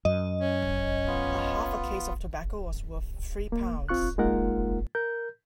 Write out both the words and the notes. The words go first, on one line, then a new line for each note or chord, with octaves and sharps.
A half a case of tobacco was worth three pounds.
F#2 D#5
C#4
B3 F4
A#3
C4 F4 C#6 F#6
G#3 A#3 D#4 F4 A#4 F#5
A#4 G6